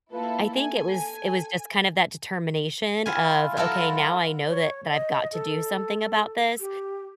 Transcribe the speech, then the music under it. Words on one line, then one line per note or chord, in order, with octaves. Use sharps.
I think it was it was just kind of that determination of, "Okay, now I know that that I've got to do something about this,"
A#3 E4 F4 A4 B4
A4 G#5
E4 F4 G#5
F#3 E4 F4 A4 A#4
C#5
D#5
A4
G4